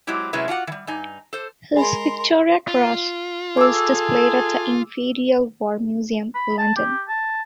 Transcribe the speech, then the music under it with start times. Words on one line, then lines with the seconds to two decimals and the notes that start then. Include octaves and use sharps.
His Victoria Cross is displayed at the Imperial War Museum, London.
0.07 F#3 G#3 C4 E4 G4
0.33 C3 F#3 G#3 C#4 E4 B4
0.48 D4 F4 F#4 F#5
0.67 E3 G3
0.87 G2 D#4 G#5
1.33 A4 C5
1.76 G#3 A#4 G#5 B5 C6
2.68 F4
3.57 G#4 A4 D6 E6
6.35 B5
6.59 A5
6.77 G4
7.09 A5